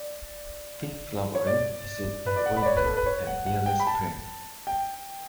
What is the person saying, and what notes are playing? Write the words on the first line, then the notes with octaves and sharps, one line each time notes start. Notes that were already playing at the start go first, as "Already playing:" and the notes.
Peak flowering is in the winter and early spring.
Already playing: D5
C#5
D5
B4
D5
F#5
B5
D5
C#5
B4
A4
B4
C#5
F#5
F#5
G5
B5
A5
G5